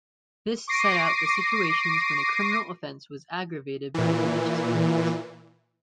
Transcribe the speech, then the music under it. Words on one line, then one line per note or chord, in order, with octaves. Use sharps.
This set out the situations when a criminal offence was aggravated by religious prejudice.
C#6 D6 A#6 C7 D7 D#7
A#2 E3